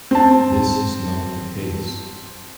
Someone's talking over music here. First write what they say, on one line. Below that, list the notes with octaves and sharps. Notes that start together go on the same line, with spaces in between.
This is not the case.
C4 A5